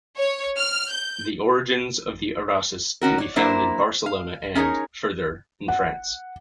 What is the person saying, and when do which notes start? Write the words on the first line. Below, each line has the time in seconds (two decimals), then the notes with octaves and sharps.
The origins of the Arraus can be found in Barcelona and, further, in France.
0.18 C#5
0.57 F6
0.91 G6
3.01 D#3 C#4 F#4 A#4
3.18 C#5 D5
3.36 F#3 A#3 D4 E4 A#4 C5
4.06 F5
4.55 C#4 D#4 G#4 A#4 C#5
5.68 F#5